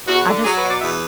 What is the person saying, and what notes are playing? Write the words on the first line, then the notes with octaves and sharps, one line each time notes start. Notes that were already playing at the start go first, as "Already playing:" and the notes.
I just
E2 F#4
D3
F#3 G#4
B4
B2
D5
E2 E5